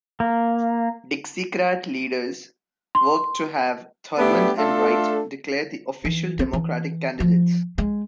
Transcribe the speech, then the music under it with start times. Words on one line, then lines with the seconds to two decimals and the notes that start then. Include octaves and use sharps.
Dixiecrat leaders worked to have Thurmond and Wright declared the official Democratic candidates.
0.20 A#3
2.95 C6
4.18 A3 B3 D4 G4
4.58 A3 D4 F4 A4
6.05 E3
6.39 C4
6.53 E3
7.20 F3
7.78 G#3